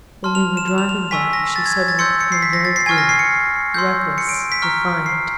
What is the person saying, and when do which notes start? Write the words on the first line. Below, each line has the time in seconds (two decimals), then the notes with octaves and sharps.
When we were driving back she suddenly became very queer--reckless, defiant....
0.24 A5 C6 F6
0.35 F7
0.57 E7
0.68 E7
0.78 F7
0.89 F7
1.11 G#5 C#6 E6 B6
1.33 A#6
1.56 A6
1.66 G#6
1.77 G#6
1.88 A6
1.99 C6 E6 G6 C#7
2.21 C#7
2.32 C7
2.42 B6
2.53 A#6
2.65 A6
2.76 C7
2.86 G#5 C#6 F6 G#6
2.98 A#6
3.09 C7
3.19 C#7
3.74 C6 E6 G6
4.18 C#7
4.29 D7
4.52 B6
4.62 A#5 C#6 F6
5.06 C7